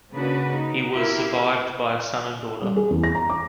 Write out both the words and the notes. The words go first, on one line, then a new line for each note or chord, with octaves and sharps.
He was survived by a son and daughter.
C#3 A#3 D4 F#4 B4
D#4
E4 G4 A#4 F5
G3
G#4
E2
A#6
A#5
D6